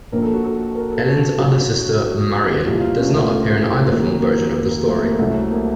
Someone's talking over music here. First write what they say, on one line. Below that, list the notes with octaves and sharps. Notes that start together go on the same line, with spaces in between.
Ellen's other sister, Marion, does not appear in either film version of the story.
A#1 A#2 F3 A#4
A4
F#4
A4
A#4
A4
A4
A4
A4
A#1 A#2 F#3 F#4
C2 A#2 F3 F4
F4
C#4
A3
A3
D#2 D#3 F#3 A#3
A#3
A#3
A#3
A#3
A3
A#3
C2 C3 F#3 A3
A3
A#3